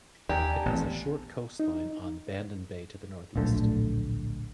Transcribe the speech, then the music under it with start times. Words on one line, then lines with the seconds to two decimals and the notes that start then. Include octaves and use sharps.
It has a short coastline on Bandon Bay to the northeast.
0.29 D#2 G4 D5 G#5 A#5
0.51 A5
0.66 A1 B3 C4
1.60 D#4
3.36 D1 A#1 D3 A3